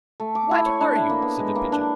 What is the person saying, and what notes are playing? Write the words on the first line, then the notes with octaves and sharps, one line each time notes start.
WHAT are you?' said the Pigeon.
A3
D6
E4
C#5
D4
E4
A#3
B3
G#3
A#3
D4